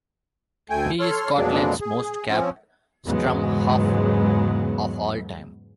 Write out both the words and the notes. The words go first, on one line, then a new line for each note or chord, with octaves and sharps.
He is Scotland's most capped scrum-half of all time.
D2 A3 G5 G#5
A4 C#5 C6 F6
F2 B2 F#3 G#3 A#3 D4
G#4
F3 C4 C#4
E2 G#2 C#3 F#3 G#3 B3